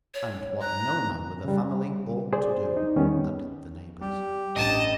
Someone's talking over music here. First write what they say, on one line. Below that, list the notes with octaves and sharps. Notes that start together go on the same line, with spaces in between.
'And what no man with a family ought to do,' added the neighbours.
C#5
A#5 F#6
C#3 G3
G#4 C5 D5
D#4
E2 D#3 G3 B3 C#4
G3 G4
A1 G2 D#5 A5